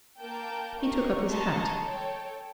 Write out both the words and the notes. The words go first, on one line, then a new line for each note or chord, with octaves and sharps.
He took up his hat.
A#3 A#4 G5 A5 G6
G4 A#4 D#5 C#6
D#5 A5 A#5 C6 C#6
A4 C#5 G5